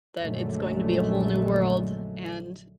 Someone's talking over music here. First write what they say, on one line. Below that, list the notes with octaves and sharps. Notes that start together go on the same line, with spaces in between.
that it's going to be a whole new world, and,
A#1 F#2 D3 F#3 G#3 A3